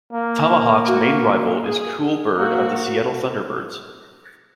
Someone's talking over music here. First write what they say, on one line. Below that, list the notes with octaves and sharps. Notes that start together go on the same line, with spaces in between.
Tom-A-Hawk's main rival is Cool Bird of the Seattle Thunderbirds.
A#3
F#4
G#4
A#3 F#4